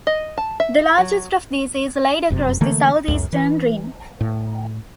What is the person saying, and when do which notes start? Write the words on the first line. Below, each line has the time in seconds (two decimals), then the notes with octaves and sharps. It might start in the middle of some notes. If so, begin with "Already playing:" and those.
The largest of these is laid across the southeastern rim.
0.07 D#5
0.38 A5
0.60 E5
0.98 F#3
2.30 F1 F#2 C3
2.61 D3 E3 A3 A#3
3.08 C#2 F#2
3.33 E3
4.21 A2